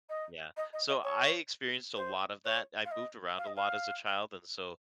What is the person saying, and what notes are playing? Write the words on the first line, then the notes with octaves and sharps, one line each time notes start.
Yeah, so I experienced a lot of that. I moved around a lot as a child and so,
D#5
D#5
D#5
D#5
C#5
C5
C#5
F5
D#5
F5
D#5
F5